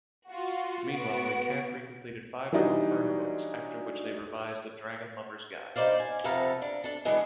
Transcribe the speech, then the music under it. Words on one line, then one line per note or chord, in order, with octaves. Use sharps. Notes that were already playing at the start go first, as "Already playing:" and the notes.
Meanwhile, McCaffrey completed five more Pern books, after which they revised "The Dragonlover's Guide".
F4 F#4
B3 F#4 D7
E3 F#3 G3 D4 D#4
G2 D#4 C5 D5 F5
G#5
F2 C3 B3 A4 F5 A#5
D4
D4 A4
D3 E3 G#3 B3